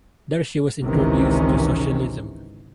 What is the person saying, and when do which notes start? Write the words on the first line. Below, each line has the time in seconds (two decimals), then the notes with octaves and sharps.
There she was introduced to socialism.
0.83 G#1 C#2 C3 D#3 E3 C#4